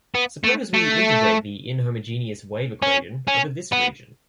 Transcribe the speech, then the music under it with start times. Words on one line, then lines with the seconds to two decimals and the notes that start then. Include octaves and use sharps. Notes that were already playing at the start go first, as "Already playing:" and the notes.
Suppose we integrate the inhomogeneous wave equation over this region.
0.15 B3
0.44 A3
0.74 A3
2.82 C#4
3.28 C#4
3.72 B3